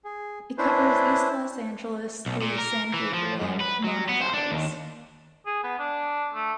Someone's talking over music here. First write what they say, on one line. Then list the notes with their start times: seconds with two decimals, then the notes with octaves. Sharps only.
It covers East Los Angeles through the San Gabriel and Pomona valleys.
0.04 G#4
0.58 C#4 D4 E4 B4 C5
2.26 B1
2.42 A#2
2.58 A#4
2.94 E3
3.14 F3
3.41 F#2
3.60 B4
3.84 F#3
4.09 B3
4.21 C5
4.34 D4
4.51 D#2
5.46 G#4
5.64 B3
5.79 D4
6.34 A3